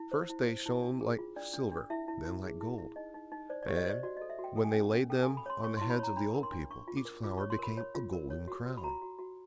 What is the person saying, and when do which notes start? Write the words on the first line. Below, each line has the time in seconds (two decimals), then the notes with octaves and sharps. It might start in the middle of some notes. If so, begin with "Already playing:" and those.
First, they shone like silver, then like gold; and when they laid them on the heads of the old people, each flower became a golden crown.
Already playing: E4
0.12 C5
0.30 E4
0.48 C5
0.66 E4
0.82 D4
1.01 G#4
1.19 F4
1.36 D4 D5
1.54 D4
1.72 D4
1.90 E4 E5
2.08 E4
2.25 E4
2.43 G#4
2.61 E4
2.78 E4
2.96 D#4 D#5
3.14 D#4
3.32 D#4
3.50 C5 D5
3.63 D5
3.68 G4
3.77 D#5
3.86 C5 D5
4.03 F#4 D5
4.17 D#5
4.21 A4
4.30 E5
4.39 F#4
4.44 G5
4.56 A4 G5
4.64 G#5
4.71 C#4 G5
4.92 C#4
5.10 A4 G5
5.23 G#5
5.27 A4
5.37 B5
5.46 C#5 C6
5.64 C#5 C#6
5.77 E4 C6
5.90 B5
5.99 C#5 A#5
6.16 D4 B5
6.35 A#4
6.43 C6
6.52 D4
6.70 D4 C#6
6.88 F4
6.97 D6
7.05 A#4
7.24 F4 D6
7.37 C#5 C#6
7.50 C6
7.59 A#4 B5
7.77 C#5
7.95 F4
8.13 A#4
8.30 C#5
8.48 F#4
8.66 F#4
8.77 B5
8.83 F#4 A#5
9.02 F#4
9.19 F#4